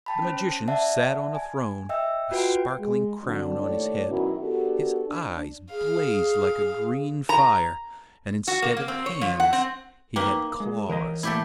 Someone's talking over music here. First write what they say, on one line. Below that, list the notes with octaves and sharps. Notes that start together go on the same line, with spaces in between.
The Magician sat on a throne, a sparkling crown on his head; his eyes blazed like a green fire, and instead of hands he had claws.
G5 A5 B5
C#4 C5
D5 E5 F#5 A5
G#5
D#5 E5 G5 E6
F4 F#4 B4 F#5 G5 D7
G#3
D3 F#3 C4 D4
D#2 A2 D4 C#5 D5
F#2 B2 D#3 F#3 C#4 E4
B3 D4 F#4 G4 A4 A#4
D4
G#4 F5
A#5
F#4
A#3
A#3
C4
C#5
F3
F#5
C4
A#3 D#4 B4 G5
G#3
E3 A#4 C#5 D#5
A2 A#3 E4 G4 A4